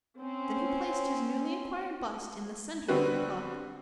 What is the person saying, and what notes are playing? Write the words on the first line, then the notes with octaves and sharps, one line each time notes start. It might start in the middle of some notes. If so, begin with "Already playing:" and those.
Then he placed his newly acquired bust in the centre of the cloth.
C4 C#4
D3 G3 B3 C4 F#4 B4